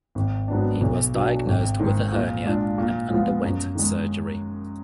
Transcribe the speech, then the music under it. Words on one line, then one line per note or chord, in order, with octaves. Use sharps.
He was diagnosed with a hernia and underwent surgery.
G#1
G#2 F#3 B3 D4
B1
B2 F#3 D4
G#1
G#2 D#3 G#3
A#2
G#3 D4 F4
A#2
F3 G#3 B3 F4
F#2
D#3 G#3